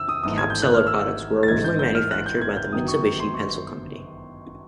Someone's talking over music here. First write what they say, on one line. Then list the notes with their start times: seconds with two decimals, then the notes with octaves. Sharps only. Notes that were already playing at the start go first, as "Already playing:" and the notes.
Capsela products were originally manufactured by the Mitsubishi Pencil Company.
Already playing: F2 C3 D#3 E6
0.09 D#6
0.23 G#1 G#2 E3 A3 D#6
0.38 G#6
0.50 G6
0.62 F#6
0.74 F6
0.87 E6
1.43 A6
1.48 A1 G#2 E3 G#3 G#6
1.64 G6
1.79 G6
1.95 F6
2.11 F#6
2.26 G6
2.41 G#6
2.57 G6
2.72 G1 F#2 D#3 F#3 B3 D#6
2.88 C#6
3.20 C6
3.34 C#6